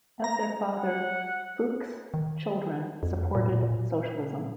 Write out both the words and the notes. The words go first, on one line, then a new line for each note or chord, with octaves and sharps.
As their father, Fuchs's children supported socialism.
A#5
F#5
D#3
F2
A#2
A#2